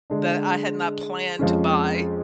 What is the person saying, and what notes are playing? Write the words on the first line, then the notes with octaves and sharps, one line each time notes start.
that I had not planned to buy,
D3 G#3 D4
F2 F3 G#3 C#4